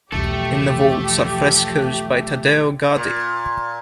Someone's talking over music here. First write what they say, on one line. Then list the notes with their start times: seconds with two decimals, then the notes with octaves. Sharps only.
In the vaults are frescoes by Taddeo Gaddi.
0.12 B1 E2 F3 A3 G4 A4
2.96 A#2